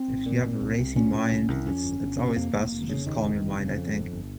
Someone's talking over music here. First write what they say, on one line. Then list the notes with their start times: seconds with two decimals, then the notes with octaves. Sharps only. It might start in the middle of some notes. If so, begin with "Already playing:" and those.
if you have a racing mind, it's it's always best to just calm your mind, I think,
Already playing: C4
0.08 G#1
0.26 A#2
0.43 A#2
0.61 C2
0.79 C2
0.96 A#2 C#4
1.13 A#2
1.31 C2
1.48 C2
1.66 F2 C#4
1.84 G1
2.02 G1
2.19 C3
2.36 F2 A#3
2.54 F1
2.72 F1
2.89 C#3
3.06 D#2 D#3
3.24 F1
3.42 F1
3.59 C#3
3.77 F2
3.94 G1
4.12 G1